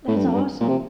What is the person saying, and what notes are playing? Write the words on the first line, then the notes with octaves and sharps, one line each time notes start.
that's awesome.
A2
G2
F2
G2
A#2
C3